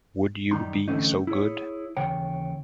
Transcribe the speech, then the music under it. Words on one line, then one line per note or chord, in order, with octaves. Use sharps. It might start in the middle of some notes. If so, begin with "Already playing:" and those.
Would you be so good?
F#2 D#3 G3 D#4 C6
D3 E3 A3 C4 C#4 D#4
E4 G#4 C#5
D#2 C#3 E3 C#5 G5